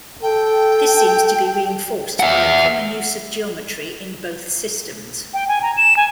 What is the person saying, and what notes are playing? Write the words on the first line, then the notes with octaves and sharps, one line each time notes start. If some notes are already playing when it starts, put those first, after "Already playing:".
This seems to be reinforced by a common use of geometry in both systems.
A4 G5
E5 F#5
G5
G#5
A#5
E7
G#5